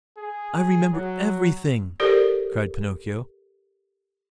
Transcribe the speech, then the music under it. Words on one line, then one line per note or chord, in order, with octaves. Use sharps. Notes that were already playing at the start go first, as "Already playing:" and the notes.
"I remember everything," cried Pinocchio.
G#4
F#3
G4 A4 A#4 C5 D5